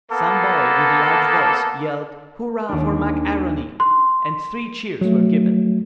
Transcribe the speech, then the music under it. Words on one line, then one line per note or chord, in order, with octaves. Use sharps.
Some boy with a large voice yelled, "Hurrah for Mac A'Rony!" and three cheers were given.
A#3 B3 A4
D#2 D4
C6
F#3 A3